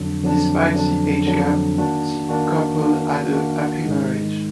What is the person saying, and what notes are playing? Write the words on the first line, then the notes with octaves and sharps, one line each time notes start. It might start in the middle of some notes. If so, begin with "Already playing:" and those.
Despite the age gap, the couple had a happy marriage.
Already playing: F2 D3 F#3 D4
F2 D3 F#3 D4
F2 D3 F#3 D4
F2 D3 F#3 D4
D#3 A#3 D4 F#4
D#3 A#3 D4 F#4
D#3 A#3 D4 F#4
D#3 A#3 D4 F#4
G#2 D#3 G#3 D#4